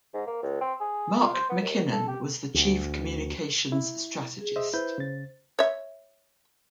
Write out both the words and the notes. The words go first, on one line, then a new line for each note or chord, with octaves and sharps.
Mark McKinnon was the chief communications strategist.
G#2
A#3
C#2
C4
G#4
F4
C5
B3
D#2
A4
G4
D2
E4
G#4
C5 D#5 E5
E4 B4 C5 G6
C#3 A6
C#5 E5